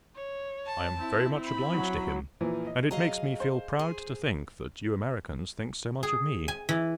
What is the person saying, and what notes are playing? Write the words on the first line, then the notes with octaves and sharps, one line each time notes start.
I am very much obliged to him; and it makes me feel proud to think that you Americans think so much of me.
C#5
A5
C4 E4
B5
F#3
A#2 E3 F3
D#5
F#3 G#4 D#5 F5
C5
G#4
G#4
G#5
E3